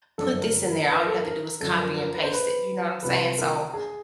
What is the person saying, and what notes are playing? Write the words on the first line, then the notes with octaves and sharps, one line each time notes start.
put this in there." All you have to do is copy and paste it. You know what I'm saying? So,
G1 F#2 D3 A4
A#4
A#4
B4
A#4
A4
A#4
A#4
F#2 D3 F3 A4
A#4
A#4
B4
C5
B4
C2 C3 F3 B4
A#4
G#4